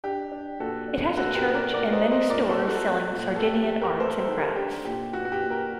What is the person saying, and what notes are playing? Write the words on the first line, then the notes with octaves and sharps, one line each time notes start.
It has a church and many stores selling Sardinian arts and crafts.
D4 G4
D4
A#2 F#4 A4
D4
A#2 F#4 A4
G4 A#4
A#2
A#4 D5
A#2 A#4 D5
C5 D#5
A3
C5 D#5
A#2 A#4 D5
A4 C5
A3
F#4 A4
C4
A#2
A4
C4 G4
G4
A3
G4 A#4
C4 A4 C5
A4 C5
D#4
G4 A#4
D4 G4
A#2 G4
A#2 F#4
F#4
G4
A#2
G4 A#4